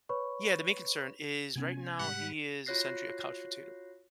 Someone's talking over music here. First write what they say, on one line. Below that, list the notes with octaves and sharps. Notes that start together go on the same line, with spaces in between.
yeah, the main concern is right now, he is essentially a couch potato.
B4 C#5 B5 C#6
C3 B3 C#4 G#5
G#2 G3 F#5 B5
F4 F#4 C#5 F#6 A#6 C7